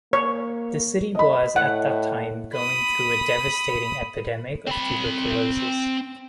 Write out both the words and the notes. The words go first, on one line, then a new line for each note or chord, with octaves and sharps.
The city was at that time going through a devastating epidemic of tuberculosis.
A#3 C#5
D#5 B5
A2 F#5
B5 D#6
C4 B5